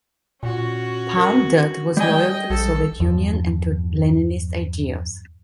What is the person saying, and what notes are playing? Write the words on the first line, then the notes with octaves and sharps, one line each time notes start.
Palme Dutt was loyal to the Soviet Union and to Leninist ideals.
A#2 C#4 F#4
A#4
G3 D#5 G5 G#5
A#1 A4
E2 G2 F3